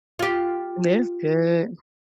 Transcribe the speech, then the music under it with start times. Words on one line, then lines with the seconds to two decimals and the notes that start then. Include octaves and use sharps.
That's good.
0.19 F4 G4